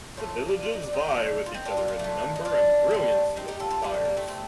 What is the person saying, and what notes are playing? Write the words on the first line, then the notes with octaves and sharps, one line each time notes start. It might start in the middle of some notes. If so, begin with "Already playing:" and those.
The villages vie with each other in the number and brilliancy of the fires.
A2 F3 A3 F4 A4
D4 F4
F4
D#4
D4
C4 D#4
D3 F3 A3
F4
C4 D#4
D4 F4
D4 F4
D4 F4
A#2 A3
D#4
D4 F4
A2 G3
C4 D#4
D#4 G4
F4 A4
F4 A4
A2 G3 D4 F4
A3
A#3
A3 C4
A3 C4